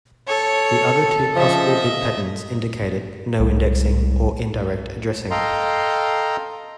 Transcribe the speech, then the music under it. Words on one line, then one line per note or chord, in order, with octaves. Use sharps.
The other two possible bit patterns indicated no indexing, or indirect addressing.
A4 C#5
C#3 F3 D#5 E5
C2
A4 D#5 F5 G5 A#5 C6